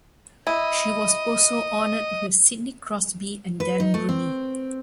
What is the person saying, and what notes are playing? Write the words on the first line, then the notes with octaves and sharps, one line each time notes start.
She was also honored with Sidney Crosby and Dan Rooney.
E4 D#5
B4
D#4
A3
C4